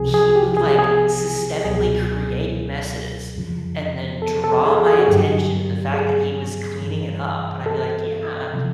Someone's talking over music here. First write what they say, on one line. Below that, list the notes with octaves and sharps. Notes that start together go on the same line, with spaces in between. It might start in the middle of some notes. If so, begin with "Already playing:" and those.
he would, like, systemically create messes and then draw my attention to the fact that he was cleaning it up. And I'd be like, "Yeah.
Already playing: C2 C3 F3 G#4
G#4
G4
G#4
G#4
C#2 B2 F#3 G#4
F2 C#3 F3
A4
A4
G#4
G#4
F#4
G2 D3 F#3 G4
G#4
G2 E3 G3
A4
C3 F3